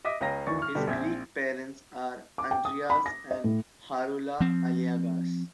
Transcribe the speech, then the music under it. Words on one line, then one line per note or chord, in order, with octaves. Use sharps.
His Greek parents are Andreas and Harula Aliagas.
D#5 E5 D6 D#6 A#6 B6
C#2 C#4 F5 G5 A#5 A#6
D2 D#3 E3 D4 C#6 A6
C#6 F6
B2 D3 G3 A3 G4
A#1 C4 E5 G#6
D6
G5
D#6
B5
A#6
D#5
A2
F3 C4